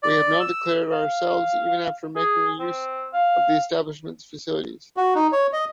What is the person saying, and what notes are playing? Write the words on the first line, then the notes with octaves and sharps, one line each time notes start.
We have not declared ourselves even after making use of the establishment's facilities.
D5
E6
F5
G#4
C4
F5
F#4
D#4
C#5
D#5